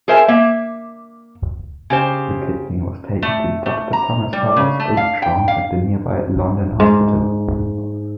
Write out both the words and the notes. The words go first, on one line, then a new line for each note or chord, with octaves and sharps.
The kidney was taken to Doctor Thomas Horrocks Openshaw at the nearby London Hospital.
G#4 A#4 C5 E5 G#5 A5
A#3 E5
C#3 G4 C5
A3
A3
A#5
G3
C#3
A3
F5
G5
F5
G#2